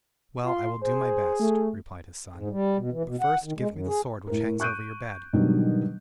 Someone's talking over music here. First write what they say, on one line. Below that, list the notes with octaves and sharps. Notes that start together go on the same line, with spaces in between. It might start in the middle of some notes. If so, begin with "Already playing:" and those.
'Well, I will do my best,' replied his son; 'but first give me the sword which hangs over your bed!'
F4 C6
G#4 C5
A3
G#2
G3
B2
E3
B2
F#5
D#3
G#3
F#2
G#4
A2 A#4
C#6 F#6 G6 D7 D#7
G#2 B2 D3 D#3 F#3 G3